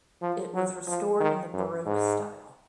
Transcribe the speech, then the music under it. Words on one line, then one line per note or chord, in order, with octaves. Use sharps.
It was restored in the Baroque style.
F3
F#3
F3
D#3
F#2
G#2